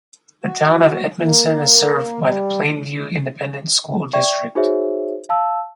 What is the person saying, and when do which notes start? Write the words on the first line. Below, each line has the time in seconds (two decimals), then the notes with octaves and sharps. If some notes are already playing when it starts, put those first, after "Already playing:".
The Town of Edmonson is served by the Plainview Independent School District.
0.44 F#4
1.21 A#3
2.19 G3
4.13 D5 E5 G5 C#6 G#6
4.55 D#4 F#4 G#4 C5 C#5 E5
5.29 F5 A5 E6